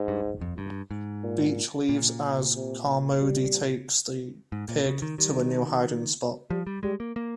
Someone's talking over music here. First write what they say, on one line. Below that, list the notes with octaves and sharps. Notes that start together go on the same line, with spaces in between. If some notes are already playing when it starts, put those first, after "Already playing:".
Beach leaves, as Carmody takes the pig to a new hiding spot.
Already playing: G#2
G2
F2
G2
G#2
A#2
A#2
C3
G3
G#2
A#2
C#3
D#3
D#3 G3
F3 G3
G3
G3 G#3
A#3
A#3